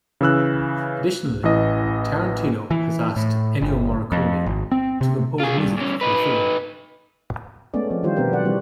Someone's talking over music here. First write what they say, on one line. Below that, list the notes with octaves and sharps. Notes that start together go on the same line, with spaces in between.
Additionally, Tarantino has asked Ennio Morricone to compose music for the film.
C#3 E3 E6 F#6
A1 E3 D#5
E3
A2
G1
F2
G#1
C4
C3
F4 G#4
G2
E2 C#4
D#4 B4
G#3 A3 B3 C#4 D5
F3 A3 C4
D#3 E3 G3 F4 G4 C5
B2 B3 C4 D4 G4 A#4
F#3 D5 F#5
E3 G3 C4 F#4